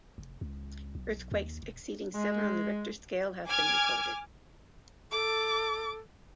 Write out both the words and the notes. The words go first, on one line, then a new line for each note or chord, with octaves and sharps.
Earthquakes exceeding seven on the Richter scale have been recorded.
F1
C#2
B1
D#2
E1
G#3
G#5 D6 F6 G#6
A4 D6